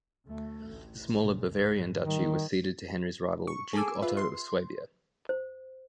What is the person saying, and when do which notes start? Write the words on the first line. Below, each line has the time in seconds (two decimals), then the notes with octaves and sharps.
The smaller Bavarian duchy was ceded to Henry's rival Duke Otto of Swabia.
0.25 D2 A3
0.66 A1
1.18 C#2 A#2
1.53 G#2
2.01 D#3 G3
3.47 C#6
3.73 G#4 A4 G#5 D6 E6
4.02 F4 B4 E5
4.17 C6
5.29 C5